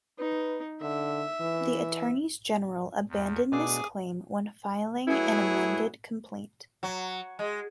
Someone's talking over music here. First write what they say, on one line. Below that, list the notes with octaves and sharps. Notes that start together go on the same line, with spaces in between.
The Attorneys General abandoned this claim when filing an amended complaint.
D#4 B4
D3 E5
E3
E2
B2 A3 D4 G#4 G#5 D6
F#3 A3 B3 E4 G#4
F#3
G#3